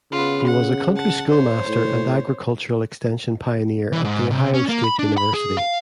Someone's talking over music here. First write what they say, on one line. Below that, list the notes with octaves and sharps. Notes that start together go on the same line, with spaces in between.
He was a country schoolmaster and agriculture extension pioneer at The Ohio State University.
C#3 B3 F4
F#5
F#5 A5
C5 C#5
A2
E3
G#2
C3
C#4
A#3
B5
D4
B5
G#4
F5